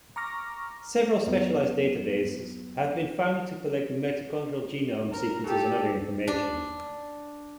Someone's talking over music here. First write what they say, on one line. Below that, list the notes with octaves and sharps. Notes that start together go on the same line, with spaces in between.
Several specialized databases have been founded to collect mitochondrial genome sequences and other information.
A#5 C#6 D6 F6 A#6
F2 F#3 B3
A#4
G4 A4
D4